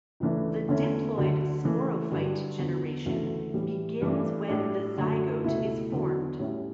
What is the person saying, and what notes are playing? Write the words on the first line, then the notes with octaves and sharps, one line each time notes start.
The diploid sporophyte generation begins when the zygote is formed.
C#2 C#3 E3 A3 D4
E2 D3 A3 C#4 E4
D2 D3 F#3
C#3 E3 A3
G2 D3 F#3
E2 D3 F#3 B3
D2 C#3 E3 A3
A2 E3 G3
G2 E3 A3 D4
A2 G3 D4
F#2 D3 F#3 A3
C#2 B2 A3 E4
E2 D3 F#3
A2 G3 C#4 E4